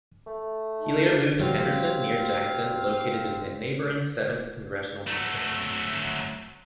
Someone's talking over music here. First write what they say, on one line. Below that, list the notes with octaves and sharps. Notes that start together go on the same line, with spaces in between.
He later moved to Henderson, near Jackson, located in the neighboring Seventh Congressional District.
A3
D#4 A4
D#3 F3 G3 C4 F#4 G4 C#5 F5
F#3 A3